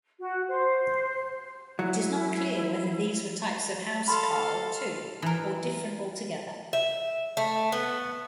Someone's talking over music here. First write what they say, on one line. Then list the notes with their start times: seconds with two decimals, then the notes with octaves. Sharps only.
It is not clear whether these were types of "housecarl" too or different altogether.
0.19 F#4
0.49 C5
1.79 F#3 E4
4.08 A4 F5 B5 C6
5.22 E3 A#4
6.73 E5
7.37 A3
7.72 B3